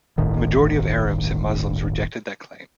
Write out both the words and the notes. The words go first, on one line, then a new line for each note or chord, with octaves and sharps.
The majority of Arabs and Muslims rejected that claim.
D1 G1 A2 D#3